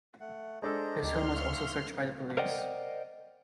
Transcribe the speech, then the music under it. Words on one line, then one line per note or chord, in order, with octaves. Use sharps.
His home was also searched by the police.
A3 F#5
G#3 D4 A4 C5 D#5 A#5
D2 D#4 G4 D5 C6 F6
E5 F5 C#6
A#4 C5 D5 D#5 F#5 G5